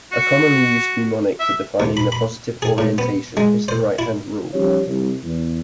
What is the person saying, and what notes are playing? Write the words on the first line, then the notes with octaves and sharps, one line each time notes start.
A commonly used mnemonic for defining the positive orientation is the "right hand rule".
F#4
E5
D#2
B5
B5
G#4
A2
B3
G#3
C5
E4
D#3 F3 G3 C#4 G4 C#5
C2
E2